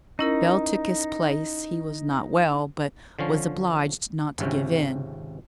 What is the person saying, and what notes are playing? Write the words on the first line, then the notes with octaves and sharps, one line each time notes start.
Bell took his place; he was not well, but was obliged not to give in.
C#4 D#4 E4 A#4
D3 F3 C#4
G#1 C#2 C3 C#4